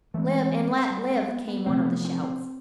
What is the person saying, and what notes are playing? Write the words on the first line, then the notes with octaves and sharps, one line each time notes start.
"Live and let live!" came one of the shouts.
E3 G#3 A3 C4
A3
G3
G#3
B3
B3
C3 F3 A3 C4
B3
C4
C4